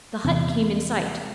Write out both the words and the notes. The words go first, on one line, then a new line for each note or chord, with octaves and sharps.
The hut came in sight.
E2 C3